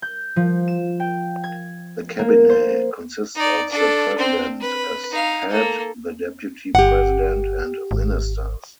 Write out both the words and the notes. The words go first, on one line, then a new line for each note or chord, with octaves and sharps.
The Cabinet consists of the President, as head, the Deputy President and ministers.
G6
F3
E7
G5
G#6
A#3
C5
D#4 D5
D4 A4
C4 C5
B4
D#4 F5
A#3 A4
G1 G4 F#5
G#1